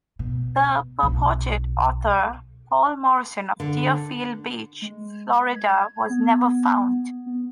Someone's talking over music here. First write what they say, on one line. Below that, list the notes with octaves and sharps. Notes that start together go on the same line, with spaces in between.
The purported author, Paul Morrison of Deerfield Beach, Florida, was never found.
B2
B1
D3
G#3
G#6
B3
B3